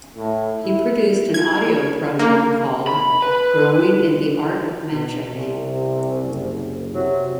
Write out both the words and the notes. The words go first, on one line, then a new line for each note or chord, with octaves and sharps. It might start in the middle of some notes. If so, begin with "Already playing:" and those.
He produced an audio program called "Growing in the Art of Magic".
A2
E4
G#6
A#3
B5
B4
B2
C2 C3
F#1
C3 F#3